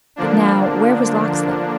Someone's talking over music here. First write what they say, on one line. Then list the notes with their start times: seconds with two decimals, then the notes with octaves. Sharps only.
"But now, where was Locksley?"
0.16 D3 F3 A#3 D4